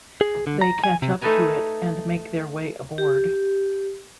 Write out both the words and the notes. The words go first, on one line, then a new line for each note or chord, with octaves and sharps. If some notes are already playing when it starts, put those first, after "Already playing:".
They catch up to it and make their way aboard.
G#4
D3
A#5
G#5
C3
A3 D#4 A4 B4 G#5 A#5
G4